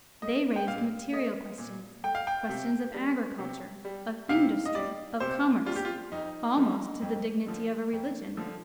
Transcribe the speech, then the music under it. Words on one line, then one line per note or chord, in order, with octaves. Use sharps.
They raised material questions, questions of agriculture, of industry, of commerce, almost to the dignity of a religion.
A3 D#5
G5
A#2 F5
A3 D#5
A#2
A3 G5
F5
G5
C3
G3
C3
G3
C3 F5
D#5
G3 D5
C3 C5
G3 F4
G4
F4
F2 D#4
D3 F3 A3
F2
D3 F3 A3
F2
D3 F3 A3